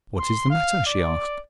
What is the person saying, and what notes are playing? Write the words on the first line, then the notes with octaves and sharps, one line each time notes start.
'What is the matter?' she asked.
C6
F5
D5